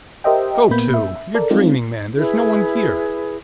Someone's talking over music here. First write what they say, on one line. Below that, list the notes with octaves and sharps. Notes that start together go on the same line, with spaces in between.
'Go to!--you're dreaming, man!--there's no one here.'
G4 A#4 C5 D#5 E5 G5
A#2 A#3 B3 B5 G6
E5
A4 A#4 D5
G#3 C4 D#4 F4
E4 G#4 B4